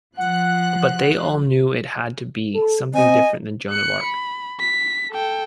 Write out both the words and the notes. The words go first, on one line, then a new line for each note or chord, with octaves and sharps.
But they all knew it had to be something different than Joan of Arc.
F3 F#5 F#6
A4
C4 D#5 G#5
F#6 C#7
B5
B6
A4 G5